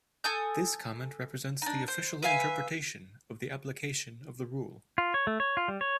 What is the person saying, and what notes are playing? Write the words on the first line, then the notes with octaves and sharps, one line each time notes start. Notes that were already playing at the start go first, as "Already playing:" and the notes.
This comment represents the official interpretation of the application of the rule.
A4 G#5 D#6 G6
D4 D#4
C5
B4 E5 F5 G#5
F4
C#5
A3
C#5
F4
G3
C#5